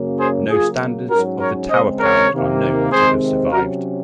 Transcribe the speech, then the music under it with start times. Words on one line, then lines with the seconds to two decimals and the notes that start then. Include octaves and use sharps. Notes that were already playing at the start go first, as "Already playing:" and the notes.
No standards of the Tower pound are known to have survived.
Already playing: F#2 C#3 F#3 A#3 C#4
0.19 G#4 C5
0.49 C#3 F#3 A#3 F4 G#4
1.10 G#2 F#3 C#4 F#4 A#4
1.40 A#4 C#5
1.70 C#3 G#3 C4 C5 D#5
2.00 A#4 C#5
2.32 C3 D#3 A#3
2.91 C3 D#3 G#3 C4 G#4 C5
3.52 C3 F#3 C#4 F#4 A#4